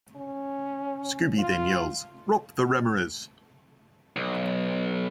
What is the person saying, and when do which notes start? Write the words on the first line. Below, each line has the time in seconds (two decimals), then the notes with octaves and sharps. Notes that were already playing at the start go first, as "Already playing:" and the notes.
Scooby then yells, Rop the rameras!
0.16 C#4
1.39 F4
4.16 B1